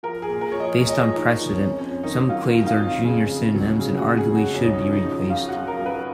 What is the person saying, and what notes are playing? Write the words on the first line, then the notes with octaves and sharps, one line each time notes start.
Based on precedent, some clades are junior synonyms and arguably should be replaced.
F3 A#4
G#4
A#2
A#4
F3 C#5
D#5
A#2 C#5
D#5
C#5
F3
D#4
F3
F2 C#4
F2 C#4
D#3 D#4
F#3 F4
F2
D#4
F4
F2
C#3 G#4
F2
F#3
C#3 G#4
F#4
F2
G#4
C#3
F#4
F#2 C#4
D#4
C#4
F3
D#4
F3
F#2 F4
F#4
F#2
A#4
F#2
B4